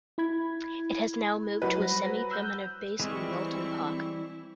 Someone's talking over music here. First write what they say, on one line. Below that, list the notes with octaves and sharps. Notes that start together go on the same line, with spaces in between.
It has now moved to a semi-permanent base in Milton Park.
E4 B5 G#6
F#3 B4
G3 C5 A#6
E6 F#6 G6
E3 G3 G#3 C4 E4 C#6